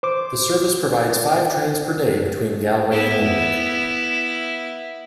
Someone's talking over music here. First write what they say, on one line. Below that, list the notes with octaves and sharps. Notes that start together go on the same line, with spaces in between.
The service provides five trains per day between Galway and Limerick.
C5 D6
B3 E4